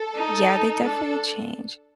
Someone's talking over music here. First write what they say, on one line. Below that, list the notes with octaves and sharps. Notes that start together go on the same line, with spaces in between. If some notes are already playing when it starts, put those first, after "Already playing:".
Yeah, they definitely change.
Already playing: A4
D#4
D4 A4